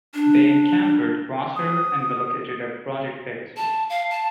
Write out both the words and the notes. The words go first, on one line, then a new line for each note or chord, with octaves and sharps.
They encountered Quasar, and relocated to Project Pegasus.
D4
D#6
A5
F5
A5